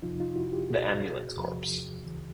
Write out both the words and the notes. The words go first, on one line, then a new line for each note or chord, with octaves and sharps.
The Ambulance Corps.
F2 C3 F3 D#4 F4
D#4 F4
E4 F#4
F4 G4
C#2 B2 F#4 G#4
E2 C3 F3
D2 C#3 E3